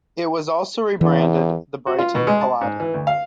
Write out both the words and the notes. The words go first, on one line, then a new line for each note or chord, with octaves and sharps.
It was also rebranded The Brighton Palladium.
E2 E3
F#4
F4
B2
G#3
A5
G#2
E3
D2
F5